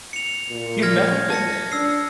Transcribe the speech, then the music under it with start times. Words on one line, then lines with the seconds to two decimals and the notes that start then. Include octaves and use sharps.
you've never been there,
0.13 C#7 F7
0.50 A#2
0.82 F6 G#6 A#6
1.30 A5 A#6 C#7
1.72 D4 E6 C7